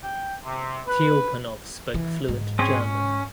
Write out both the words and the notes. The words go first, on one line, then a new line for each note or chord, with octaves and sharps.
Tiulpanov spoke fluent German.
G5
C3
B4
E3
G#2
C4 C#4 G#4
C#4